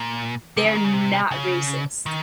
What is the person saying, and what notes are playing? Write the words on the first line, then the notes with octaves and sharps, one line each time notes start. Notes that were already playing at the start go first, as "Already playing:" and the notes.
they're not racist.
Already playing: A#2
C3
C#3
D#3
C#3
C3
C#3
D#3